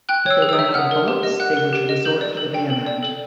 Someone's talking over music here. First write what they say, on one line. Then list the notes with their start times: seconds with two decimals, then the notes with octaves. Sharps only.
If they ran out of bullets they were to resort to the bayonet.
0.09 G5 F#6
0.26 C#5 E6
0.42 G#4
0.49 E6
0.53 D#6
0.59 E5
0.74 F#5 F6
0.91 A#4
1.08 G4
1.23 D#5
1.40 F#5 F#6
1.57 A#4
1.73 G4
1.89 D#5
2.05 A4 G6
2.21 D5
2.37 A4
2.54 G5
2.70 A4
2.86 D5
3.03 A4